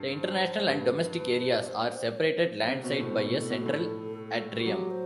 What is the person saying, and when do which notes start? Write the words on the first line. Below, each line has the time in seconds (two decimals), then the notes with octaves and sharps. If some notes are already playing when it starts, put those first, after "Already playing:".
The international and domestic areas are separated landside by a central atrium.
Already playing: G2
0.18 C5
0.68 G2 B4
1.56 D5
1.67 C5
1.80 D5
1.92 C5
2.05 D5
2.17 C5
2.67 C3
2.84 B2
3.00 A2
3.16 B2 A4
3.33 A2
3.50 B2
3.66 A2
4.59 F#4
4.66 F#3 G4
4.90 C5